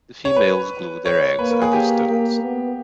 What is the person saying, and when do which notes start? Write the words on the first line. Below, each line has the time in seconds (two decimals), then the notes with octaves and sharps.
The females glue their eggs under stones.
0.25 C#5
0.36 B4
1.05 C#5
1.39 A#3 B4
1.51 A#4
1.62 G#4
1.73 G4
2.08 A#3
2.41 B3